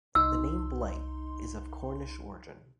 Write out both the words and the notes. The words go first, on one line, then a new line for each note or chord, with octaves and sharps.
The name Blight is of Cornish origin.
C2 D#4 C6 E6